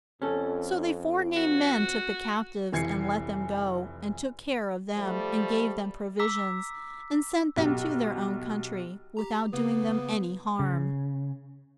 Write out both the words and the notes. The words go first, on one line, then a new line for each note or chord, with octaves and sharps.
So the forenamed men took the captives, and let them go, and took care of them, and gave them provisions, and sent them to their own country, without doing them any harm.
F2 C#4 A4
F#4
F1 E3 G#6 C7 C#7
F3 G3 A3
A#5 D6 E6 B6
B1 G4
G4 A#5
C#3 A#3 B3
C#3